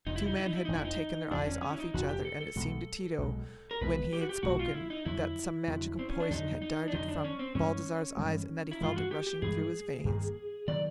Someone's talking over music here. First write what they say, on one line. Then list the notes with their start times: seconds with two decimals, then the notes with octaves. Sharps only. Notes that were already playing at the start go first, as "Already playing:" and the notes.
The two men had not taken their eyes off each other, and it seemed to Tito, when he had spoken, that some magical poison had darted from Baldassarre's eyes, and that he felt it rushing through his veins.
0.07 F1 F2 C3 F3 D#4
0.16 E4
0.26 D#4
0.37 E4
0.46 D#4
0.55 E4
0.65 F1 F2 C3 F3 D#4
0.76 E4
0.85 D#4
1.31 F1 F2 C3 F3 D4
1.46 C#4
1.62 C#4
1.72 E4
1.79 D#4
1.94 F1 F2 C3 F3 F#4
2.09 G4
2.25 A4
2.41 A4
2.56 B1 B2 G#3
3.18 B1 B2 G#3
3.71 A#4
3.81 B1 B2 G#3 B4
4.13 G4
4.21 F#4
4.29 G4
4.43 B1 B2 G#3 F#4
4.59 F4
4.74 E4
4.90 D#4
5.05 F2 D3 F#3 E4
5.68 F2 D3 F#3
5.99 C4
6.09 C#4
6.20 D4
6.30 F2 D3 F#3 D#4
6.62 D#4
6.88 D4
6.92 F2 D3 F#3 D#4
7.08 D4
7.24 C#4
7.39 C4
7.55 G2 E3 G#3 C#4
8.17 G2 E3 G#3
8.71 E4
8.81 G2 E3 G#3 F4
8.96 F#4
9.11 G4
9.27 G4
9.42 G2 E3 G#3 G#4
10.05 G2 D#3 F#3 A#3
10.68 D#3 F#3 A#3 D5